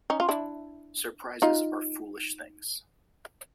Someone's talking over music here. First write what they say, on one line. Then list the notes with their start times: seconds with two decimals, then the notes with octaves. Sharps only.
Surprises are foolish things.
0.10 C#4 D#4
0.20 F4
0.29 D4 E4
1.42 D#4 F4